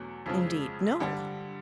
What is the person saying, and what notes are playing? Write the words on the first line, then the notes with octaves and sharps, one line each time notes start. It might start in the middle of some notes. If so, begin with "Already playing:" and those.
"Indeed no."
Already playing: E2 B2 F#3 A3
F2 C#3 F3 G#3
G2 D3 G3